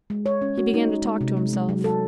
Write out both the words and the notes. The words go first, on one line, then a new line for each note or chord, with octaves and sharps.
He began to talk to himself.
G#3
C#5
C#4
F#4
D#4
G#3
G#3
C3
G#3
G#3
F#3
A4